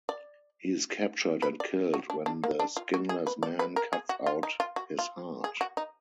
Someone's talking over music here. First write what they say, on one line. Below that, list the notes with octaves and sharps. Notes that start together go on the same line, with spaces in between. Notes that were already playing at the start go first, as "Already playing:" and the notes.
He is captured and killed when the Skinless Man cuts out his heart.
D5
B4
D5
F#4
D4
D4
A#3
D4
F4
F#4
G#4
B4
D5
B4
A#4
G#4
F#4
F4
D#4
F4
F#4
F4
G#4
F#4
D#4